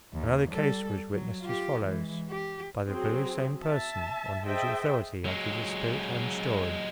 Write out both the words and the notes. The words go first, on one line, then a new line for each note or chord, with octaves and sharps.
Another case was witnessed as follows, by the very same person on whose authority I give the spirit-hand story.
D#2
G3 A4
F#3
F4 G4
E3 G#3
G4
F#3 C4 G#4
E5 A5
G#4 C5 D#5 E5 G5 A5
F#3 G#3